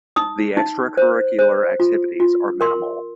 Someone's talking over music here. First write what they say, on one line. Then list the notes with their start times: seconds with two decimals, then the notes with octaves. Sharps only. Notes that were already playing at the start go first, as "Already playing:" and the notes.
The extracurricular activities are minimal.
0.16 D#4 D#6
0.57 D#4
0.97 C5
1.39 C5
1.80 F4
2.20 F4
2.61 A#4 C6